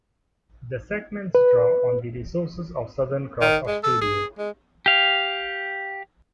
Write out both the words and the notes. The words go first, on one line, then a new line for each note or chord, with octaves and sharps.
The segments draw on the resources of Southern Cross Austereo.
B4
D#3
G#3
A4
G#4
G#3
G4 F5